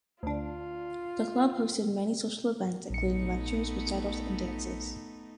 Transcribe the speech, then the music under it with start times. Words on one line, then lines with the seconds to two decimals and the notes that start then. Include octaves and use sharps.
The Club hosted many social events, including lectures, recitals, and dances.
0.23 D2 D4 F4
2.90 A#1 A3 B3 D#4 C#7